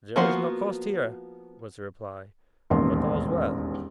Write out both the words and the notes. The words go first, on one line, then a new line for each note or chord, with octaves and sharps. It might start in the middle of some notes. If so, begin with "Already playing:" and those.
"There is no coast here," was the reply, "but all's well."
F3 A#3 B3 F#4 C5
E1 A1 D#2 A#3 C6